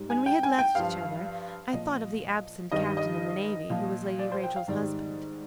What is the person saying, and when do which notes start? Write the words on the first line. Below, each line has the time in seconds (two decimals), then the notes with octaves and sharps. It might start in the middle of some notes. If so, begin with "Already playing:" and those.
When we had left each other, I thought of the absent Captain in the Navy who was Lady Rachel's husband.
Already playing: G#2 G3
0.10 G#5
0.26 G5
0.43 G#5
0.59 G5
0.75 G2 F3 F5
1.73 A#2 F3 D#5
2.72 G2 D#3 G3 D#5
2.97 D#5
3.70 A#2 F3
4.19 D5
4.32 C5
4.44 G5
4.56 F5
4.68 G#2 D#3 G3 D5